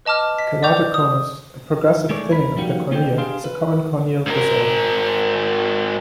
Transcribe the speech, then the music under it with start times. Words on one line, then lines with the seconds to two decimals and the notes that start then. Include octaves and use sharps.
Keratoconus, a progressive thinning of the cornea, is a common corneal disorder.
0.05 B4 D#5 A5 D6 F6
0.38 D#5 B6
0.63 D5 C#6 D6 G6 F7
0.94 D#6
2.10 D#3 G#3 A3 C#5 D5
2.30 D#2 A#4 B5
2.57 F3 G3 A#3 D#4 F#4
2.91 A#3 F4 A4 C5 D5 G5
3.18 D4 G4 G#4 F5 C6
3.44 B4
4.27 G#2 A#4